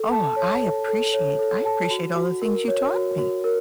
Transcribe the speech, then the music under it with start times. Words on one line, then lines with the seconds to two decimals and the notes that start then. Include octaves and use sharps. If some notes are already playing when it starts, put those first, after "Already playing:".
Oh, I appreciate I appreciate all the things you taught me.
Already playing: A4
0.11 A5
0.36 C#5
0.62 A4
0.88 A4
1.13 C#5
1.39 A4
1.65 A5
1.90 F#4
2.16 F#4
2.42 A#4
2.68 C#5
2.93 F#4
3.18 F#4
3.44 A#4